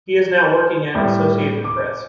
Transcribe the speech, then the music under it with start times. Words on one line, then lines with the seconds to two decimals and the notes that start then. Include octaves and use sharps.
He is now working at Associated Press.
0.95 A2 G3
1.64 D6